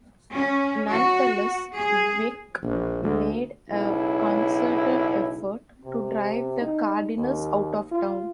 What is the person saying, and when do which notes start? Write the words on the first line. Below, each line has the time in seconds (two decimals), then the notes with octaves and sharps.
Nonetheless, Veeck made a concerted effort to drive the Cardinals out of town.
0.32 C#4
0.89 F#4
1.75 G#4
2.63 A#1
3.04 D2
3.69 B1 C#3 E4
5.85 C3
6.61 D#4
7.18 D#2
7.91 F4